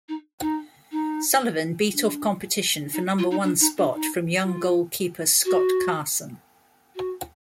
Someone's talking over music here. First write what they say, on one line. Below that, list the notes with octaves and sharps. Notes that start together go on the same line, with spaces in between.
Sullivan beat off competition for number one spot from young goalkeeper Scott Carson.
D#4
D#4
D#4
D4
D#4
F4
D#4
D4
D#4
D4
D#4
F4
F#4
F#4